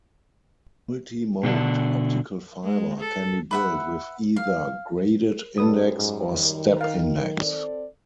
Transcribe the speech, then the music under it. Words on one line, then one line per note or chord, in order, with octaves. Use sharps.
Multi-mode optical fiber can be built with either graded index or step index.
B2 D3 D4
G#3
A4
B4 E5 F#5
F5
F#2 G3 A4 B4 D#6
G#2
D#3
A#4 F5
C4 A4 D5